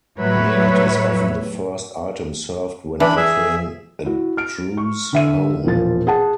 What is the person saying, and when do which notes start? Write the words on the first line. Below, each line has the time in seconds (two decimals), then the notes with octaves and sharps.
Mate is often the first item served when entering a Druze home.
0.19 A2 F#3 G3 B4 C#5 E5
3.00 E3 D4 B5
3.17 G#4 E5
4.05 E4 F#4
4.37 F6 D7
4.77 C#6
5.13 D3 E5 D#7
5.64 E1 A#2 F3 A6
6.07 G#4 F#5 A5